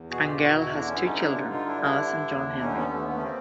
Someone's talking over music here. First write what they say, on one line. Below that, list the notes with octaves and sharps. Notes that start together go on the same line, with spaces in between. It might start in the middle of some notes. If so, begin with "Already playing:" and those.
Angell has two children, Alice and John Henry.
Already playing: E2
B2 F#4 G#4
F4 G4
E2 E4 F#4
E4 F#4
D3 D4 E4
B3 C#4
E4
G2 C#4 D#4
D4 E4
D3 D#4 F4
D#4 F4
G2 D4 E4
D4 E4
D3
D#2
D3 C#4 D#4
B3 C#4
D#2 A3 B3
A3 B3
C#4
A#3 C4